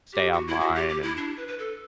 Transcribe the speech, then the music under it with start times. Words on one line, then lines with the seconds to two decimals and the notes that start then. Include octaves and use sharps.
stay online," and
0.13 G4
0.33 F#4
0.48 E4
0.61 F#4
0.75 G4
0.89 G4
1.03 E4
1.17 D4
1.37 B4
1.48 B4
1.59 A4